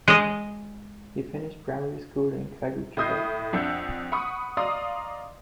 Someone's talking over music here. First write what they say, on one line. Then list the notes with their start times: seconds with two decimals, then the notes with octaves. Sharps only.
He finished primary school in Kragujevac.
0.08 G#3 D#5
2.97 A2 D#5 D#6 G6 C7
3.53 F2 D4 F#5 E6 G6
4.12 F#5 B5 C#6 D#6
4.57 D5 D#5 F5 A#5 C6 D#6